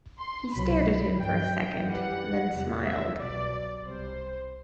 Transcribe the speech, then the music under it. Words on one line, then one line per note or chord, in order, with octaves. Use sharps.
He stared at him for a second, then smiled.
C6
C2 B2 F#3 B5
G2 F#3 G5
F#2 E3 G3 F#5
E2 C3 G3
E5
C2 B2 F#3 D5
C2 C3 G3 C5